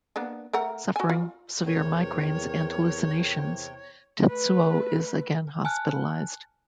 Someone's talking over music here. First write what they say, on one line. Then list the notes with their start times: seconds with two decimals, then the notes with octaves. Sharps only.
Suffering severe migraines and hallucinations, Tetsuo is again hospitalized.
0.16 A#3 B3 D4
0.53 A3 A#4 F#5
0.96 F#4 G#5
1.09 F4
1.65 E2 C3 A#4 C#5 G5
4.27 A3 B4
5.65 G#5 A5 F6 F#6